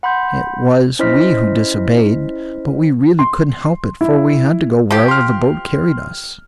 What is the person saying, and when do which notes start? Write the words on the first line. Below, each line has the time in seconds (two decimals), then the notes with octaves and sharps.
"It was we who disobeyed. But we really couldn't help it, for we had to go wherever the boat carried us."
0.03 F#5 B5 C6 G6
0.99 C#4 E4 C5 D#5 F6 B6
3.19 C6
4.01 E4
4.91 F3 G4
5.08 C6 F6